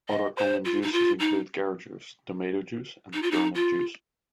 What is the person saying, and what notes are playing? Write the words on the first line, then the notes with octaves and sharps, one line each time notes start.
Other common juices include carrot juice, tomato juice, and turnip juice.
D#5
C5
F4
D#4
F4
D#4
D#4
F4
D#4
F4